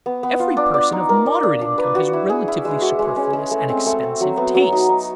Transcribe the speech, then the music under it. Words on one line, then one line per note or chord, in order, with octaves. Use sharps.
Every person of moderate income has relatively superfluous and expensive tastes.
B3
B3
F4
D4
D5
D#4
A#4
D5
D4
D4
B4
F#4
E4
G#4
E4
G#3
F#4
G#3
C#4
G#3
A3
C4
A3
C4
F#3
B3
F#3
D#4
D#4